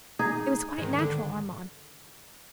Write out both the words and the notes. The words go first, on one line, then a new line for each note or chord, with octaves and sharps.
It was quite natural, Armand.
D#4 G#4
G#2 D#3
D3